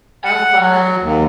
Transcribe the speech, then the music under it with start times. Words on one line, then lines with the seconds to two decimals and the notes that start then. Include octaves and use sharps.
Oh, fun.
0.25 F#5
0.59 F#3
1.02 D#2